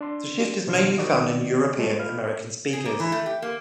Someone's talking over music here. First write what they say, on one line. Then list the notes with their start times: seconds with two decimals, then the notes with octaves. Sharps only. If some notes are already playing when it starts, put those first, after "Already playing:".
The shift is mainly found in European American speakers.
0.01 D4 C6
0.67 B2 D#3 F3 D4 C6 F6
0.98 D#3 F#4 D5 D#5
1.78 G3 G#3 A4 C5 C#5
1.99 F4 B4 F6
2.73 G#4
2.85 A#3
3.00 E3
3.12 A3
3.26 G4
3.42 A#3